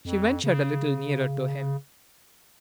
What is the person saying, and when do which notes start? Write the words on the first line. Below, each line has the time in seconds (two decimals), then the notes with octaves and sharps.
She ventured a little nearer to him.
0.05 F2
0.44 C#3